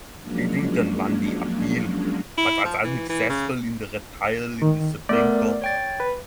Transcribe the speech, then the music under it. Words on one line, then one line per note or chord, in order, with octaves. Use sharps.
Piddington won the appeal but was unsuccessful in the retrial in the Supreme Court.
F3 F#3 G#3 A#3 C#4 D4
E4
F3
E3
E3
C#3
D#3
A3 B3 A#4 D5
C#5 G5 A6
B4